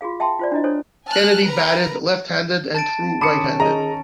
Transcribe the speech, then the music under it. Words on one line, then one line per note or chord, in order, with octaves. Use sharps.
Kennedy batted left-handed and threw right-handed.
F4 F#4 G#4 F5
E5 G5 A5 C6
F4 C5 D5
D4 E4 D#5
D4 A4 C5 C#5
G#5 A5 F6 F#6
A#4 B4 A#5
A5 A6 D7
D#3 C#4 A5 B5 C6 D6 D#6 C#7
G#4 D#5 A#5